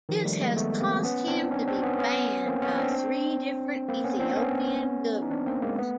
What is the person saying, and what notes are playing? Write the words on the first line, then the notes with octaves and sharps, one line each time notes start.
This has caused him to be banned by three different Ethiopian governments.
D#3 F3
G3 A3
G#3 A#3
A3 B3
A#3 C4
B3 C#4
C4 D4
C#4 D#4
C4 D4
B3 C#4
B3 C#4
A#3 C4
B3 C#4
C4 D4
A#3 C4
B3 C#4
C4 D4
B3 C#4
D#4
C4 D4
A#3 C4
G#3 A#3
A3 B3